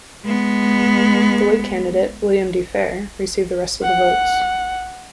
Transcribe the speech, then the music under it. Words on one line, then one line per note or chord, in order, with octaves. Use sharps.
The Whig candidate, William D. Fair, received the rest of the votes.
G#3 B3
F#5